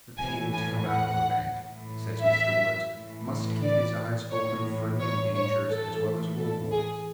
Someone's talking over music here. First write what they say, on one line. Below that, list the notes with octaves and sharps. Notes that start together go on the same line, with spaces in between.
The paying teller of a bank, says Mr. Woods, must keep his eyes open for new dangers as well as old ones.
A2 E3 G#5
G#5
F#5
A2 E3
E5
A2 E3
D5
A2 E3 C#5
C#5
C#5
A2 E3 A4
A4
G#4